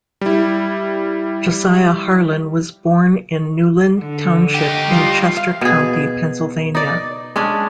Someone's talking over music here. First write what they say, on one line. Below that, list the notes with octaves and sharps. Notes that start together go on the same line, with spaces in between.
Josiah Harlan was born in Newlin Township in Chester County, Pennsylvania.
G3 E4
D3
D#4 G4
G3 F4
F5
B2 G#4
D#4 D5
G#3 C#4 D4